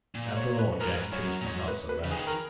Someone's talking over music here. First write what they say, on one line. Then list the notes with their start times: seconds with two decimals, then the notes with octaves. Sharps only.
'After all, Jack's taste is not so bad.
0.15 A#2
0.37 C#5
0.59 B4
0.80 G#2 A#4
1.13 F#2 C#5
1.41 A#2
1.45 G#2 C#5
1.68 B4
1.89 B4
2.04 C#3
2.11 D#3 G#4
2.27 A#4